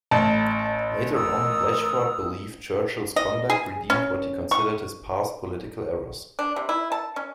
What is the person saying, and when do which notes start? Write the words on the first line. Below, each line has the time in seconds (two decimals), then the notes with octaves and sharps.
Later on, Blatchford believed Churchill's conduct redeemed what he considered his past political errors.
0.11 A1 A5
1.15 A#4 D#6 E6
3.16 D#5
3.50 G#4
3.90 C#4
4.51 C#6
6.39 D4
6.56 C3
6.69 E4
6.92 A5
7.16 C#4